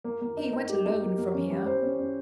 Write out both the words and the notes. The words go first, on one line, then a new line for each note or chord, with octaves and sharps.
He went alone from here.
A#3
A#3
D#4
D#4
G4
D#4
A#3
A#3
C#4
G3
C5
C#4
C#4